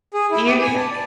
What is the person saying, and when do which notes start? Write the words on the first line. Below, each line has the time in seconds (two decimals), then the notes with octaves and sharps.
you c
0.14 G#4
0.31 E4
0.47 G4
0.62 G#5
0.77 A5
0.92 D5